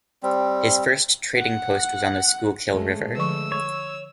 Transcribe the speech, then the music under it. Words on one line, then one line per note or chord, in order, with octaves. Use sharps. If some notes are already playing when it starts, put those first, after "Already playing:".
His first trading post was on the Schuylkill River.
G3 C4
F#5
G#3 A3 C#4
D3 F3 C#6 E6
C#5